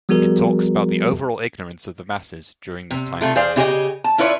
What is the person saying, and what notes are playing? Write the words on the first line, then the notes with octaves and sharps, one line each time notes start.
It talks about the overall ignorance of the masses during this time period.
F3 G3 B3 F#4 G#4 A#4
C3
C3 A3 F4
G#4 C5 D5 F5
C#3 E4 G4 G#4 C#5 D#5
A5
C#4 E4 F4 B4 C#5 D5